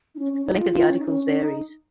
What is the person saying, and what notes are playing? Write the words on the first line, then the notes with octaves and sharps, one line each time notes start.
The length of the articles varies.
D#4
C#4
C#4
D#4
F4
F4
C#4
D#4
C#4
C#4
D#4